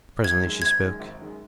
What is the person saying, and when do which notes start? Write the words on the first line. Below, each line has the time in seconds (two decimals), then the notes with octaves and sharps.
Presently she spoke.
0.24 G#1 G#6
0.43 F#2 D#3 G#3
0.62 G#1 G#6
0.81 F#2 D#3 G#3
1.00 G#1
1.19 F#2 D#3 G#3